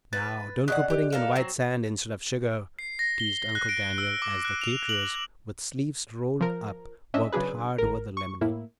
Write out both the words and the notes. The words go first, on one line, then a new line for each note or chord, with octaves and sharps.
"Now, don't go putting in white sand instead of sugar," teased Uncle Daniel, as the "caterers," with sleeves rolled up, worked hard over the lemonade.
B4 A6
C#3 A#4 D5 D#5 F#5 F#6
G4
A#3 A4 F5
F#3 C4
C7
A#6
G7
F#6
D7
E6
D6
F#6
F7
F#7
F3 A#4
C#4 D4 D#5 E5
C#3 F#3 D4 G#4 B4
G#1 A#4
C#6
A2 A#3 E4